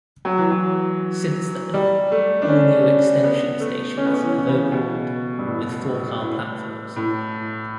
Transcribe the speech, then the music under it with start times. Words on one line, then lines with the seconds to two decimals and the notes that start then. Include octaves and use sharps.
Since then, all new extension stations have opened with four-car platforms.
0.25 F#3
0.38 E3
0.51 F#3
1.74 G3
2.11 A3
2.42 D4
2.49 C#4
3.24 B3
3.60 A3
3.97 C#4
4.06 B3
4.14 C#4
4.23 E3
4.47 C#3
4.72 B2
5.38 G2
5.47 A2
6.21 A2
6.96 A2